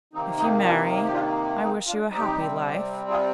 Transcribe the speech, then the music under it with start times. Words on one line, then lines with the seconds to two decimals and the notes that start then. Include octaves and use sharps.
If you marry, I wish you a happy life.
0.13 C3 D#3 A#3 C4 D#4
0.38 C4 D#4
0.62 D4 F4
1.05 G4
1.12 D4 F4
1.61 C4 D#4
1.86 D4 F4
2.11 C3 G3 C4 D#4 G4
3.10 F4 G#4